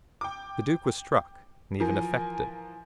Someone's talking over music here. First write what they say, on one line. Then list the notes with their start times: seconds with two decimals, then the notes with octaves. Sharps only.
The Duke was struck, and even affected.
0.21 G5 D6
1.80 E3 F3 A#4 G#5